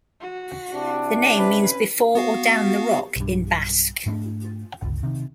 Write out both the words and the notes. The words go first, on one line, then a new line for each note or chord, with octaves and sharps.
The name means 'before or down the rock' in Basque.
F#4
C3 D4 E4
C#4 B4
B3 F#4 F5
B1 G2
G#2 A3 C#4 D4
G1 C#2
C3 D#3